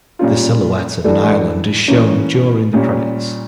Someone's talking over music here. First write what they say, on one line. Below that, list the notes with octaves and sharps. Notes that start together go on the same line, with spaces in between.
The silhouette of an island is shown during the credits.
A#2 G3 C#4 F4
E3 G3 D4 A4
E3 A#3 C#4
A#2 G3 C#4